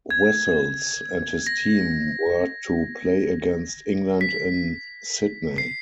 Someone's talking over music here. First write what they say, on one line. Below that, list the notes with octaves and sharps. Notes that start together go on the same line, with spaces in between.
Wessels and his team were to play against England in Sydney.
G#6
A#6
B6
C7